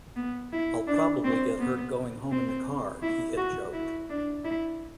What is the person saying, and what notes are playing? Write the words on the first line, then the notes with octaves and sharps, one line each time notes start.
"I'll probably get hurt going home in the car," he had joked.
B3
E4
D4
C4
B3
C4
E4
F#4
E4
D4
E4